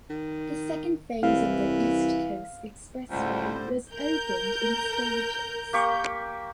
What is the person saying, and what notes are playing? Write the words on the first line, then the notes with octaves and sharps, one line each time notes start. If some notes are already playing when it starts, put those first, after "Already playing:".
The second phase of the East Coast Expressway was opened in stages.
D#3
C2 E3 F5
C#2 A2 D3 G3 C5
A#4 G6
A#3 G4 C#6